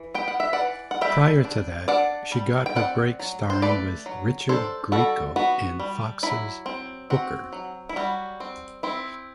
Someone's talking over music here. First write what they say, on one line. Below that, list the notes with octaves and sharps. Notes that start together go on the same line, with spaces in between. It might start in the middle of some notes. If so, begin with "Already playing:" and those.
Prior to that, she got her break starring with Richard Grieco in Fox's "Booker".
Already playing: E3
B3 G5
F#5
E5
E3 D5 F#5
F#5
G3 E5 G5
D4
D4 D5 F#5
G3
G5
C4 D5 F#5
F#3
C5
A3 B4 D5
F#3
D4 A4 C5
G3 F#4 A4
B3 F#4
G3
F#3 E4
C4
C4 F#4
F#3
E4
G3 F#4
C4
C4 E4